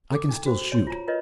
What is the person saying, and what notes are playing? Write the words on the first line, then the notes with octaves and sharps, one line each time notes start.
I can still shoot.
A4 D6
D4 D#4
F#4 C5
C#5 C6
F4 A#5
F4 A#4 B4 C#5 D#5